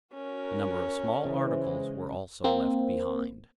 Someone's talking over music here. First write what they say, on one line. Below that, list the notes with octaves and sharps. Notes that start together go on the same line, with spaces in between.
A number of small articles were also left behind.
C#4 F#4 A#4
C#3 E3 G#3 C5
A#3 C4